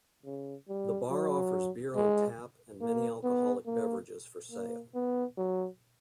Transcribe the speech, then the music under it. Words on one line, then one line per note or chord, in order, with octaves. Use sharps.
The bar offers beer on tap and many alcoholic beverages for sale.
C#3
G3
F#3
G#3
A#3
B3
A#3
A#3
B3
F#3